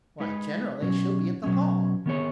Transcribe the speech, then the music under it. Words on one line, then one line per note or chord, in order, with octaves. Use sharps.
"Why, generally she'll be at the Hall."
G#3 D#4 B4
B2 F#3 C#4
B2 F#3 C#4
D#3 B3 G#4 C#5